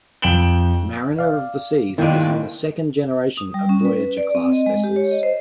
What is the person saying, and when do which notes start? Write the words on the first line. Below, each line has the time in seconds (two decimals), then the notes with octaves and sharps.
"Mariner of the Seas" is in the second generation of "Voyager"-class vessels.
0.22 F2 G5 D7 E7 F#7 G7
1.19 D5 F5
1.98 C2 D#3 A#3 E4 D5 D#5 G5
3.37 D#6
3.54 G3
3.69 C#4
3.85 B4
4.17 D5
4.35 C4
4.52 D#5
4.66 G#3
4.84 G4
4.96 C#5
5.11 D#5
5.23 C5